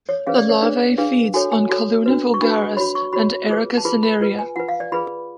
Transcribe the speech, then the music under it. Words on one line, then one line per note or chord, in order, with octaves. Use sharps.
The larvae feeds on "Calluna vulgaris" and "Erica cinerea".
C#5
C#4 G#4 B4 F5
D5
C#5
D4 G#4 B4 D5
D4 G#4 B4 F5
F#4 A4 C#5 G#5
G#5
F#4 A4 C#5
D4 F#4 B4
C#6
D4 F#4 B4 B5
F#4 C#5 B5
C#6
F#4 C#5 B5
F4 G#4 B4
A5
F4 G#4 B4 B5
B5
F4 B4
G#5
F4 B4 F#5
F5
D5
F4 G#4 B4 B5